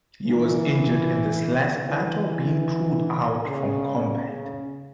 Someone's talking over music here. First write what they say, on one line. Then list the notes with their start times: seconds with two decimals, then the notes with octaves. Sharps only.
He was injured in this last battle being pulled out from combat.
0.26 E3
1.87 E3
3.47 C#3
4.27 C#3